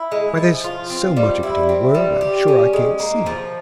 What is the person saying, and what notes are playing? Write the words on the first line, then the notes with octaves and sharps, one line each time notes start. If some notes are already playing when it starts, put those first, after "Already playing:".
Why there's so much of it in the world, I'm sure I can't see.'
Already playing: E4
G#3
F3
F4
C4
G3
E4
C4
G3
G4
C#4
G#3
A#3
F3